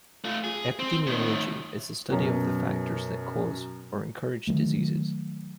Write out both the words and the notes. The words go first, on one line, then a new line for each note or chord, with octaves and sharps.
Epidemiology is the study of the factors that cause or encourage diseases.
A3 F4
G#4
C4
A2 D#3
F#2 B2
D#3 F3 F#3 A3